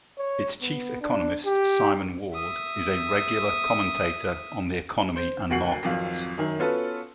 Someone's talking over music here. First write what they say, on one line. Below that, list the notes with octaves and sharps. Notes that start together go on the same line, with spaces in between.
Its Chief Economist, Simon Ward, is a regular commentator on the economy and markets.
C#5
B3
D4
G4
E5 D#6
C5
F#1 D2 F#4 F#5 C7 F#7
G#1 F2 F#3 F5
F#2 D#3
B3 C#4 F4 F#4 A4 B4